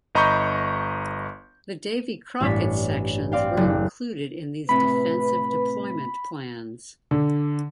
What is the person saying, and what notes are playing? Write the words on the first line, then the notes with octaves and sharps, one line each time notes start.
The Davy Crockett sections were included in these defensive deployment plans.
G1 D#5 A#5 B5 C#6 G6
A1 G2 D4 C#5 B6
C4 D5 F5 G5
F#1 F#6
A2 C3 B4 B5
D3